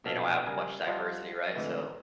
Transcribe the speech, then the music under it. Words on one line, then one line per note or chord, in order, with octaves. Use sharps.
they don't have much diversity, right? So
A#1 B2 A4 F5
C#3 G3 G#4 A#4 G#5
G3 F4 D#5 F#5 A5
F2 A2 D3 E3 G#3